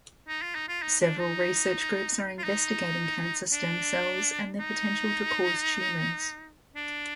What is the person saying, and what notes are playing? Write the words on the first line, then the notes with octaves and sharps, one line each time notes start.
Several research groups are investigating cancer stem cells and their potential to cause tumors.
D#4
F4
D#4
F4
D#4
D4
D#4
F4
D#4
D4
D#4
D4